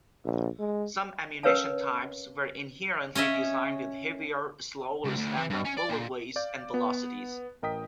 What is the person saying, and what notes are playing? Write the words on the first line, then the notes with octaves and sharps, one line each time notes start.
Some ammunition types were inherently designed with heavier, slower standard bullet weights and velocities.
A#1
G#3
C#4 A#4 B4 C#5 F5 A5
C#4 C#5 D#5 E5
C#2
D2
E3
G2
C#4
D5
A#2
D5 F5 G6
B3
A1 A#4 D#5 G5 D#6 B6